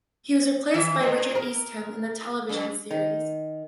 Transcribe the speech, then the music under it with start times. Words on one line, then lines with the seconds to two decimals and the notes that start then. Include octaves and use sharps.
He was replaced by Richard Eastham in the television series.
0.74 D#3 E5
1.01 A2
1.35 A#4
2.49 F#2
2.91 D#3